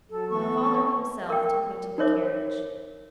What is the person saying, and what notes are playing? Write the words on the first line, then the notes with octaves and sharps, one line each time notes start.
My father himself took me to the carriage.
F#3 A4
E3 B3 A4 C#6
A#4 G5
D#4 A#4 C5 C#5 E5 D6